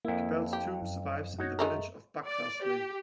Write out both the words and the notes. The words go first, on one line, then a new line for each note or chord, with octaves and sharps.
Cabell's tomb survives in the village of Buckfastleigh.
F2 A#3 E4
G4
F#2
D#4 F#4 C#5
G#3 A3 A#4
D5
G4